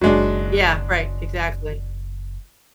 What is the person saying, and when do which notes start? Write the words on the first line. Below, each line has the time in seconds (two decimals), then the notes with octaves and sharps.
Yeah, right, exactly.
0.01 F#1 D#3 F#3 G#3 D4